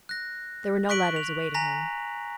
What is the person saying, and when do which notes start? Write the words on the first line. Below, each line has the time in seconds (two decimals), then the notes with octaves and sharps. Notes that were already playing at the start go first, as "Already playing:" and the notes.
There were no letters awaiting him.
0.09 F#6 A#6
0.89 C#6 F#6 B6 D7 F#7
1.16 F7
1.54 G#5 A#5 A#6 B6